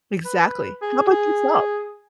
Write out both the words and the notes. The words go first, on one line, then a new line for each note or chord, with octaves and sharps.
Exactly. How about yourself?
B4
G#4
G#4